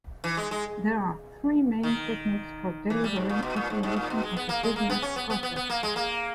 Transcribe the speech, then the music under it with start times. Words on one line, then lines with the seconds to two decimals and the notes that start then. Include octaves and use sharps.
There are three main techniques for delivering automation of a business process.
0.24 E3
0.37 G#3
0.51 G#3
1.83 D#3
2.90 E3
3.04 G3
3.16 G#2
3.29 A#2
3.43 B2
3.56 A#2
3.70 G#2
3.83 G#2
3.96 A#2
4.10 B2
4.23 G#3
4.37 B3
4.49 A#3
4.63 G#3
4.76 A#3
4.90 B3
5.02 C#4
5.16 B3
5.30 B3
5.43 B3
5.56 B3
5.70 A#3
5.83 G#3
5.96 A#3